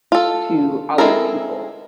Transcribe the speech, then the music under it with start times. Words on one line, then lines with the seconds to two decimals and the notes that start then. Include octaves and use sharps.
to other people
0.12 F4 A4
0.98 G#3 C4 E4 A4 A#4